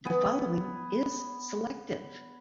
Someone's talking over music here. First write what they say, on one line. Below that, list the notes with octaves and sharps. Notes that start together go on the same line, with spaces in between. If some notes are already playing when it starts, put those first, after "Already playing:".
The following is selective.
B3 G#5